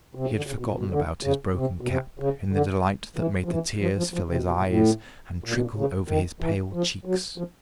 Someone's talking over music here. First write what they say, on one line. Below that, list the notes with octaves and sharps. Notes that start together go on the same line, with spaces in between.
He had forgotten about his broken cap in the delight that made the tears fill his eyes and trickle over his pale cheeks.
C3
C#3
D3
C#3
B2
A#2
B2
D3
C#3
C3
B2
C3
C#3
D3
E3
F3
E3
F3
F3
F3
C3
B2
B2
A#2
A2
A#2
B2
A#2
C#3
D#3
E3
F3
F#3
F3